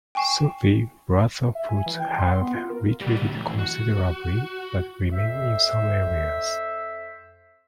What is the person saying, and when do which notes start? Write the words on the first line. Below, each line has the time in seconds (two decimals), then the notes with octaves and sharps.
Sufi brotherhoods have retreated considerably, but remain in some areas.
0.15 G5 G#5 C#6 C7 E7
1.55 E5
1.69 G#5
1.86 E3
1.99 G5
2.18 C6
2.42 B3
2.55 F4
2.70 A#4
3.01 G3 F#4
3.19 A#2 D3
3.35 E3 A3
3.58 F#4
5.12 F2 C5 E5